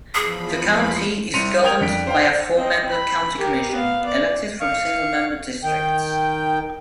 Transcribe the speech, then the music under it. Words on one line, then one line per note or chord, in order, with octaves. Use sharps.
The county is governed by a four-member county commission, elected from single-member districts.
E2 F3 G#4 B5
C2 C4 C6 C#7 D#7 F7
A#4 G5 D#6 G#6 F7
F2 D4 B6 D7
C5 F5 G5
C4 D#5
B5
G4 A#4
B3 F5
D5
F5 C#6
D#3 G5